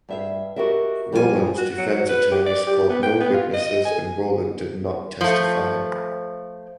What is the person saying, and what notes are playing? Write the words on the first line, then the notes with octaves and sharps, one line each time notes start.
Rowland’s defense attorneys called no witnesses and Rowland did not testify.
G2 E5 F5
F#4 G4 A#4 D#5 E5
F2 F3 G3 F4 G#4 G#5
F#4
F#3
B4
G4
D5
G4
B3
G5
B3
F4
D#5
G#5
F3 A3